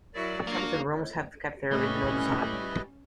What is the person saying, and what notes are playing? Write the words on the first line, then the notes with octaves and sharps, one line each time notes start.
Some of the rooms have kept their original design.
F#3 E4 F#4 A#4 D5
A#3 D4 F4 F#4
A2 G3 C#4 E4 G4 B4 D#5